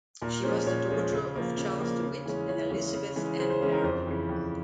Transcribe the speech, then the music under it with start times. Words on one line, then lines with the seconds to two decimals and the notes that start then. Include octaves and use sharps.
She was the daughter of Charles De Witt and Elizabeth Ann Merrill.
0.22 A#2 A#4
0.44 F3 G#3 C#4 C5
0.67 A#2 C#5
0.90 F3 G#3 C#4
1.13 C#3
1.35 F3 A#3
1.58 C#3
1.80 F3 A#3
2.03 C#3
2.26 E3 G#3 C#4
2.48 C#3 C#5
2.70 E3 G#3 C#4
2.94 C#3
3.16 E3 G#3 C#4
3.39 C#3 C5
3.50 C5
3.61 E3 G#3 C#4 G#4
3.72 A#4
3.84 F2 C5
4.07 C#3 E3
4.29 F2